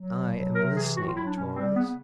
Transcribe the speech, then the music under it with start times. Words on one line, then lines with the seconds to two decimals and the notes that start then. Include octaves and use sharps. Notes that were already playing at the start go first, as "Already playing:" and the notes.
"I am listening, Torres."
Already playing: F#3
0.14 B2
0.34 F#3
0.54 C3 A#4
0.74 E3 G#4
0.94 A2 F#4
1.05 F4
1.15 F#3 E4
1.25 D4
1.35 B2 C#4
1.56 G3 C4
1.76 C#3 B3